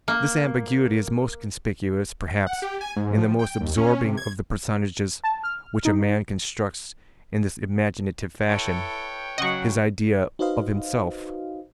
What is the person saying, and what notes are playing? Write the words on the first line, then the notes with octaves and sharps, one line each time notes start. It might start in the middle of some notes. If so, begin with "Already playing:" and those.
This ambiguity is most conspicuous, perhaps, in the most absorbing of the personages which a man constructs in this imaginative fashion--his idea of himself.
A#3
F#5
G4
G#5
G#2
F3
G5
D#2
C#4
C3
G#6
A5
F6
D#4
E4 A4 B4 C#5 G5
C#3 F#3 D#5 F#5 C#6
D#4 F#4 B4 C5 D#5 F5